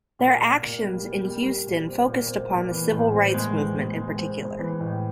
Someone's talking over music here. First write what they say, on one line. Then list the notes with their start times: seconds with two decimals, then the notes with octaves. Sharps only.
Their actions in Houston focused upon the Civil Rights Movement in particular.
0.19 A#2
0.40 A#2
0.62 A#2
0.82 G3
1.03 G3
1.25 G3
1.45 G3
1.66 A#2
1.87 C4
2.08 A#2
2.29 C4
2.50 A#2
2.71 E3
2.92 A2
3.12 C4
3.34 G#3
3.55 E3
3.76 G#3
3.96 G#3
4.17 C4
4.39 C4
4.59 E3
4.80 A2